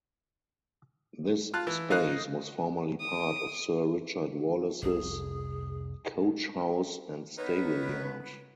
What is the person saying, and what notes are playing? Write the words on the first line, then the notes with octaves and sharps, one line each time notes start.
This space was formerly part of Sir Richard Wallace's coach house and stable yard.
F4 A5 F#6
E3
G#2 D#4 D#5 F5 F6 F#6
D#6 D7
F1 C2 G#4
B3 D#4 A#4 B4 C#5